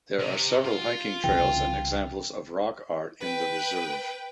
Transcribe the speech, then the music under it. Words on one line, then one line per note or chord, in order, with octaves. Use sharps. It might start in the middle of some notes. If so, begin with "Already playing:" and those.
There are several hiking trails and examples of rock art in the reserve.
C3
F4
C2 C#3 E3 G5
B4 G5